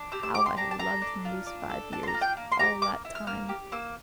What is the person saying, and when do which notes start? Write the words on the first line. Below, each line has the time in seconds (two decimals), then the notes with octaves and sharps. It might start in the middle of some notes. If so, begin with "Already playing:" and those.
How I have loved him these five years, all that time!
Already playing: D4
0.12 G4 E6
0.23 E6
0.35 G4 D6
0.46 C6
0.57 D4 A#5
0.71 A5
0.79 A4 A#5
1.01 D4
1.25 F4
1.46 D4
1.70 A4
1.92 D4 A5
2.03 C6
2.07 A#5
2.14 F4
2.21 G5
2.37 A#3
2.52 C6
2.59 G4 A#5
2.82 A#3 D6
3.05 E4
3.15 F6
3.27 A#3 F6
3.49 G4
3.72 A#3 E6